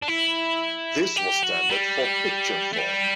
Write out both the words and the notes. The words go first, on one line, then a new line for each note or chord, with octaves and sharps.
This was standard for Picturephone.
D4
E4
G4
F#4
G3
A3
G3